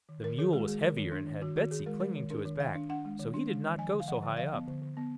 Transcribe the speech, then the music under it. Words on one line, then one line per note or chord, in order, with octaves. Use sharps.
The mule was heavier and had Betsy clinging to his back, so he did not go so high up.
D#3
D#3 A#4
D#3 G#4
G#3 F#4
G#3 G#4
D#3 A#4
D#3
D4
D#3
D#3 F#4
D#3 F#4
D#3 G#4
G#3 A#4
G#3 A#4
D#3
D4 A#4
D#3
D#3 F5
D4
D4 F#5
G#3
D#3
D4
G#3
D#3
F3 G#5
D3
F5
F3 F#5
D3
F3 F5
B3
D3
D3
B3